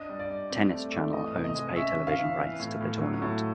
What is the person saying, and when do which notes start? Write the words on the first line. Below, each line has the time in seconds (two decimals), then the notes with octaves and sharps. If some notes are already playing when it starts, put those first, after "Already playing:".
Tennis Channel owns pay television rights to the tournament.
Already playing: D4 D#5
0.09 G3
0.19 D5
0.30 G3
0.50 C4
0.71 A3
0.92 A3
1.13 E3 D#5
1.35 C3
1.44 D#5
1.55 G#3
1.76 C#4 E5
1.97 C#4
2.07 F5
2.18 E3
2.39 E3
2.60 A2
2.81 A2
3.01 F#3
3.22 A2